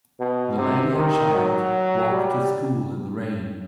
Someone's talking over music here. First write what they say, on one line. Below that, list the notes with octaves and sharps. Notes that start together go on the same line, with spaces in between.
The lady and child walk to school in the rain.
B2
C3
D#3
F#3
G3